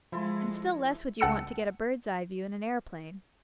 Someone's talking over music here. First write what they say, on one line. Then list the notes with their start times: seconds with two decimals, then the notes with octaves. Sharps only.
And still less would you want to get a bird's-eye view in an aeroplane.
0.12 F3 G#3 E4 A4 C6
1.20 C#2 F#5 A5 E6 C#7